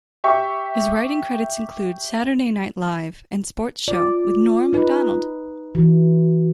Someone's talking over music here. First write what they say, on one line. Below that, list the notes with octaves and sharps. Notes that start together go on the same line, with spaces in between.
His writing credits include Saturday Night Live and Sports Show with Norm Macdonald.
G4 E5 C#6
F4 D5
D#4 B4
E3 F#4